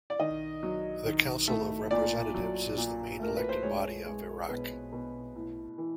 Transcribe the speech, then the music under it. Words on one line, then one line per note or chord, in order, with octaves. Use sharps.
The Council of Representatives is the main elected body of Iraq.
D5
D#3 D#5
F#3
D#3
A3
A#2 D5
F#3
A#2
A3 A#4
B4
C5
G#3 C#5
G#3
B2 B4
B2
A2
E3